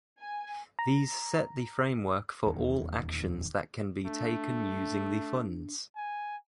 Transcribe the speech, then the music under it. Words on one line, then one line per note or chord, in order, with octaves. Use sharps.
These set the framework for all actions that can be taken using the funds.
G#5
A#5
D#1 B1 E2 D#3
A3 D4
G#5